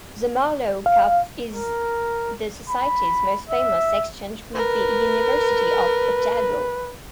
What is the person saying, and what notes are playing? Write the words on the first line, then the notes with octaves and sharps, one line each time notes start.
The Marlowe Cup is the societies most famous exchange with the University of Otago.
F5
A#4
B5
E5
A#4 B4